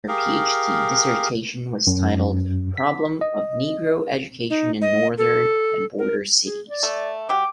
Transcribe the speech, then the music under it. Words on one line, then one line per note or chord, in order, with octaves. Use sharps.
Her PhD dissertation was titled "Problem of Negro Education in Northern and Border Cities".
G4 G#4 A#4 F5
F#2
B6
D#5
D#4
D#5
A4
A#4
G#4
D5
A3
F#3 G4 D6